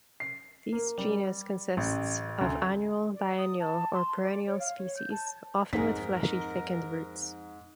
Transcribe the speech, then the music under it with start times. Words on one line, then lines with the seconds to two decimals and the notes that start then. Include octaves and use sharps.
This genus consists of annual, biennial, or perennial species, often with fleshy, thickened roots.
0.20 C7
0.73 A#3
0.98 G3
1.77 A1
2.41 D2
3.14 D5
3.37 D#6
3.59 A5
3.93 C6
4.21 D5
4.46 C#5
4.59 F5
4.77 C#5
4.96 G6
5.11 A5
5.73 F2 G#2 C4 D#4 G#4 A#4 B6